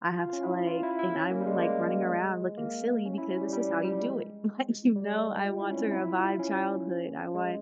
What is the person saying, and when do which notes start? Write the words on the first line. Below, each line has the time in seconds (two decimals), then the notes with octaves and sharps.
I have to, like and I'm, like, running around looking silly, because this is how you do it, like, you know? I want to revive childhood, I want
0.19 F4
0.33 C#4
0.43 E4
0.67 F4
0.83 E4
0.99 E4
1.15 C#4
1.31 A#3
1.41 G3
1.46 G#3
1.58 A#3
1.62 G#3
2.57 A#3
3.06 C#4
3.18 E4
3.29 C#4
3.41 G3
3.53 G3
3.69 F3
3.85 G3
4.00 G#3
4.96 G3
5.12 G#3
5.44 F4
5.60 E4
5.70 C#4
5.76 C4
5.91 E4
6.08 F4
6.23 E4
6.40 C#4
7.35 G#3